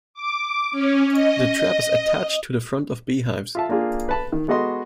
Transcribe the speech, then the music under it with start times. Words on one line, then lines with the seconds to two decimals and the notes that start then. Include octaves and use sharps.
The trap is attached to the front of beehives.
0.14 D6
0.71 C#4
1.11 D#5
3.55 F4 E5 A5
3.69 A#3 D4 F4 G#4
4.09 B4 A5 B5
4.32 D#3
4.48 G#3 B3 F#4 A4 D#5 C6